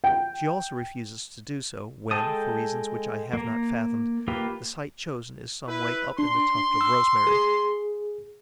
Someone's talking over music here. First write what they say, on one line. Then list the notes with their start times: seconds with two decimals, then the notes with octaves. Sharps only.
She also refuses to do so when, for reasons which I have not fathomed, the site chosen is some way up in the tuft of rosemary.
0.04 G5
2.11 G#3 A4 G5 A5 D#6
3.33 A#3 A#5
4.28 A#3 F4 G4 B4
5.68 E4 B4
6.19 D4 C6
6.81 E6
7.27 G#4